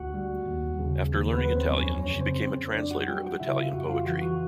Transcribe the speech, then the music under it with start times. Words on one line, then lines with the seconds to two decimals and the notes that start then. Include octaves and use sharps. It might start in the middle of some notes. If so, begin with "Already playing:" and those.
After learning Italian, she became a translator of Italian poetry.
Already playing: D2 F#4 F#5
0.14 G3
0.46 D#2
0.79 C#3
1.12 D#2
1.33 B3 B4
1.45 F#3
1.55 C4 C5
1.77 F2 C#4 C#5
1.99 C#4 C#5
2.09 C#3
2.21 C4 C5
2.42 F2 C4 C5
2.75 F#3 D4 D5
2.91 F#4 F#5
3.08 G3 G4 G5
3.25 F#4 F#5
3.40 C#3 E4 E5
3.57 F4 F5
3.73 F2 F#4 F#5
3.89 F4 F5
4.06 E3 F#4 F#5
4.22 F#4 F#5